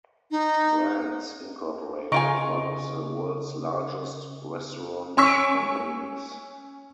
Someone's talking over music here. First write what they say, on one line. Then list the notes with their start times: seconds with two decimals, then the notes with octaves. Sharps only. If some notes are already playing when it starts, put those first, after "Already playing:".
Brands, Incorporated one of the world's largest restaurant companies.
0.31 D#4
2.12 C#3 D#4 F4 G#5 C#6 D7
5.17 C#4 C#6 E6 B6